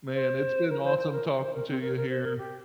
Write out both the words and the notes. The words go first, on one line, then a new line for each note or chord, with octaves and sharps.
Man, it's been awesome talking to you here,
C5
A#4
C5
C5
A#4
C5
A#4
C4
A#4
A#4
C5
A#4
G4